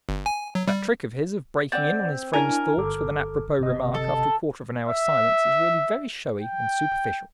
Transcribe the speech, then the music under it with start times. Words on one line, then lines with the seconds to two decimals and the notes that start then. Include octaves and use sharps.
That trick of his of breaking in on his friends' thoughts with an apropos remark after a quarter of an hour's silence is really very showy and superficial.
0.09 G1
0.26 G#5
0.55 F#3
0.68 G3
1.72 C4 D5 F#5 A6
2.33 D4 E4 A#4 G#5
2.77 G1 A4 D6
3.60 G1 C3 D#5
3.94 A4
4.88 E5
6.41 G5